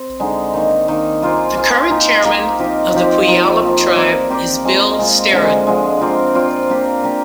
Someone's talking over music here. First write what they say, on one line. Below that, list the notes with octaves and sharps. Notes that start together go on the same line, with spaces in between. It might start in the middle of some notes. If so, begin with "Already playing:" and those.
The current chairman of the Puyallup Tribe is Bill Sterud.
Already playing: C4
D3 G#3 D#4
D#3 A#3 D#4
D#3 A#3 D#4
A#3 F4 G#4 C5
A#3 F4 G#4 C5
A#3 D#4 G4
A#3 D#4 G4
F3 C4 D#4 G4
F3 C4 D#4 G4
F3 A#3 D#4
F3 A#3 D#4
C4 G4 A#4 D5
C4 G4 A#4 D5
G#3 C4 F4
G#3 C4 F4
D3 F3 G#3
D3 F3 G#3
C4 F4 A#4 D5
C4 F4 A#4 D5
A#3 D4 G4
A#3 D4 G4